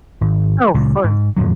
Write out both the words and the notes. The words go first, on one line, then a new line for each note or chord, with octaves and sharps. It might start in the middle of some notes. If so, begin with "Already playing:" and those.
Oh, for
G#1
C#2 A#2
G#2
D#1 F2 A2 F#3